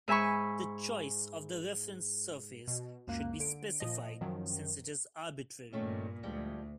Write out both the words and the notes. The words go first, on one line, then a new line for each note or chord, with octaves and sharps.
The choice of the reference surface should be specified since it is arbitrary.
G#2 E5 G#5 B5 C#6
B2
C#2 F#2 A#3 F#6
D3 D7
A#2 F3 D#5
F#2 D#3 F3 F#3
G2 A#2 D#3 A3 C#4
D2 F3 G3 G#3